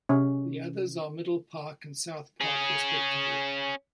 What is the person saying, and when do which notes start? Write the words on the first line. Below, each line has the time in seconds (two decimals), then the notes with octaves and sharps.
The others are Middle Park and South Park respectively.
0.09 C3 C#4
2.41 C#4 G#4